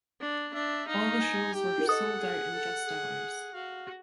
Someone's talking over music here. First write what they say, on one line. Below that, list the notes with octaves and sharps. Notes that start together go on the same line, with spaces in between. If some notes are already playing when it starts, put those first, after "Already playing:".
All the shows were sold out in just hours.
D4
D4 E5
D#4 F5
G#5
G4 G5
A4 F#5
G#4
A4
G#4
F#4 F5